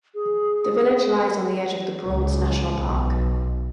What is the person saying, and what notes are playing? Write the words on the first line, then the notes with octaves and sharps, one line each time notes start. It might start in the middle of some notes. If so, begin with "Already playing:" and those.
The village lies on the edge of The Broads National Park.
G#4
C#2
B1